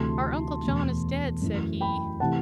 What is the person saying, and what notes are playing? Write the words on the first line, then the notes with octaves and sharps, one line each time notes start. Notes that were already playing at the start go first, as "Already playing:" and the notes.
"Our uncle John is dead," said he.
Already playing: D2 C3 E3 A3 A5 C6
E2 B2 A3
F#2 E3 A3
G5 B5
C3 E3 A3 F#5 A5